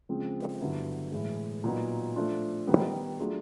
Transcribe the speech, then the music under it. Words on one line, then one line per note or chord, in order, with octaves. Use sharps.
Brockbank was best known for his motoring, motor racing and aviation cartoons.
C#3 F3 G#3 C4
G2 D3 F#3 B3 E4
A2 E3 G#3
A#2 F#3 B3 D#4
F3 A3 D4 F4
D#3 G3 B3
F#3 A3 D4 F4 G#4